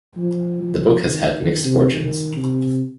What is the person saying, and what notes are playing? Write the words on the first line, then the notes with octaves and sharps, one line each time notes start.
The book has had mixed fortunes.
F3
F3
D#3
D#3
C3
D#3
C3